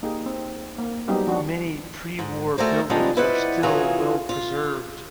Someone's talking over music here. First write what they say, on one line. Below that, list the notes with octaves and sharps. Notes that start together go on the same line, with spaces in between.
Many pre-war buildings are still well preserved.
A#3 D#4 G4 G#4
C4
A#3
F#3 G3 B3 C4 D#4 G4
F3 D4 F#4
G#2
A3 F#4 G#4 A#4 C5 D5
F3 G3 G#3 B3 D4 D#4
E4 B4 C5 D5 D#5 F#5
C#3 E3 F4 F#4 G#4 A#4
F4